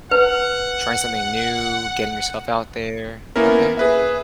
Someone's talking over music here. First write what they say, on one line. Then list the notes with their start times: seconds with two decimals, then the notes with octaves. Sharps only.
trying something new, getting yourself out there. Okay.
0.11 B4 F#5
3.36 A#3 B3 C#4 E4 A#4
3.77 G#4 B4 E5